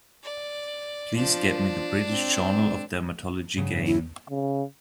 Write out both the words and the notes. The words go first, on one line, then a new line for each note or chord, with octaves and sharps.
Please get me the British Journal of Dermatology game.
D5
F3 D4
C4
G2 C#3 F#3
E4
C#3